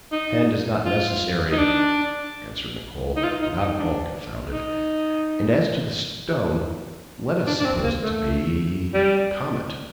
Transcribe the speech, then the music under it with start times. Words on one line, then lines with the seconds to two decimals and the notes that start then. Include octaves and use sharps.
"The hand is not necessary," answered Nicholl, not at all confounded; "and as to the stone, let us suppose it to be a comet."
0.12 D#4
0.85 F4
1.52 D#4
1.58 D4
3.16 D#4
3.24 F4
3.42 D#4
3.61 D#4
3.78 D4
4.52 D#4
7.47 D4
7.60 D4
7.65 C4
7.83 A#3
8.02 A3
8.94 G3